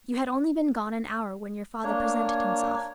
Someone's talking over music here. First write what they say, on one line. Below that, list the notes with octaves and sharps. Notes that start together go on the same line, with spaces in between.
You had only been gone an hour when your father presented himself.
A#3 D4 C#5